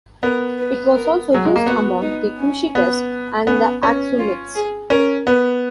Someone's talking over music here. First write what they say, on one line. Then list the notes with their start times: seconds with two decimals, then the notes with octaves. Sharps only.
It was also used among the Kushites and the Aksumites.
0.23 B3 A#4
0.58 B4
0.95 A#4
1.31 F#3 G#4
1.45 G#3
1.56 A#3
1.66 B3 F#4
2.02 D#4
2.39 C#4
2.75 B3
3.47 B3 C#4
3.83 B3 C#4
4.19 F4
4.55 G#4
4.90 C#4 A#4
5.27 B3 B4